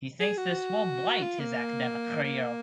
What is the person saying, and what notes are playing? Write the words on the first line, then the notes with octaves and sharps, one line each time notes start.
He thinks this will blight his academic career.
G#4
F#4
F4
A#3
A#3